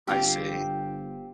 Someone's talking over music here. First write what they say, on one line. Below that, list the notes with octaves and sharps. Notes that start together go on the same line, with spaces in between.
I see.
G1 C4 F4 G4